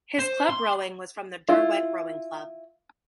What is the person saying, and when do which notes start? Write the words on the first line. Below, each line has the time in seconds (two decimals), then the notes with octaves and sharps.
His club rowing was from the Derwent Rowing Club.
0.19 C5
0.50 C6
1.49 E4 F4